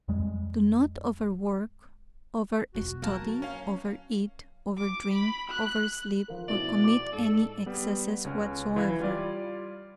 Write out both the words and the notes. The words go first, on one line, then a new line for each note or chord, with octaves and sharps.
Do not over-work, over-study, over-eat, over-drink, over-sleep, or commit any excess whatsoever.
F2 G3 G#3
E1 F4 F#4
F#3 A#3 A5
C#4 F5
D6
B5
F#6
F3 A#4
B2 E4 D5
D6
G#2 A4
G3 B3
C#2 C#4
E3 F5 B5 G#6
G3 F4 D5